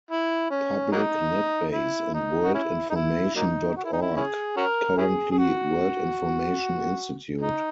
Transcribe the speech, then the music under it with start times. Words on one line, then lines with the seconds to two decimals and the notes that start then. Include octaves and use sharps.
Public Netbase and World-Information.Org, currently: World-Information Institute.
0.11 E4
0.51 C#4
0.92 F#3 A#3 D#4
1.73 E4
2.14 D#4
2.44 F#4
2.54 C#4 E4
2.90 D#4
2.95 E4
3.36 F#3 A#3 D#4
3.76 F#4
3.84 E4
3.93 D#4
4.02 E4
4.16 C#4 E4 G#4
4.57 C#4 F#4 A#4
4.98 C#4 E4 G#4
5.31 G#4
5.38 F#4
7.41 D#4